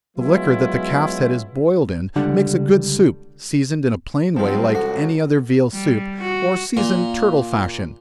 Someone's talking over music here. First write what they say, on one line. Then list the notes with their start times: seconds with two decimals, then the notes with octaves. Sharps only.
The liquor that the calf's head is boiled in, makes a good soup, seasoned in a plain way like any other veal soup, or seasoned turtle fashion.
0.17 F#3 G#3 B3 C#4 E4 F4
2.16 C#2 D3 G3 D4 F#5
4.36 G2 F3 F#3 B3 C4
4.75 C#2 F#4 A4 C5
5.72 G3
6.20 F#4
6.77 A#2